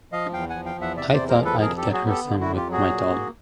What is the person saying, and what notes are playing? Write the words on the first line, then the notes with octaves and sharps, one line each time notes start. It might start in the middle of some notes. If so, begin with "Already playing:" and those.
I thought I'd get her some with my dollar.
F3 D#5 F5
E2 F5 G5
F3 F#5 G#5
F5 G5
E2
E5 F#5
C3 D5 E5
C5 D5
E2
A#4 C5
F3
A4 B4
F2 G#4 A#4
G4 A4
F#3
F#4 G#4
B3
G4 A4
D3
E4 F#4
F2
F4 G4
F#3
F#4 G#4
A#2
A#3